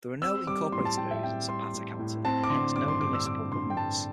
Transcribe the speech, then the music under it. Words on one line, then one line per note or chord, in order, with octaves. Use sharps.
There are no incorporated areas in Zapata County and hence no municipal governments.
C4 E6
G3 D6
A2 C6
A5
A2 G5
E5
C4 G5
G3 C6
A2
A2
C4 A5
D6
D3 C6
G2 D6
C6
G2 D6
E6
C4 D6
D3 C6
G5
G2 A5